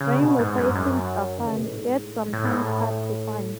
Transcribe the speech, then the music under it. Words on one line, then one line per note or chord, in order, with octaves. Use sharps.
Rainbow sightings are fun, yet sometimes hard to find.
C#3
B2
G#2
F#2
G#2
F#2
D#3
C#3
B2
A2
G#2
A2
A2
G#2
A2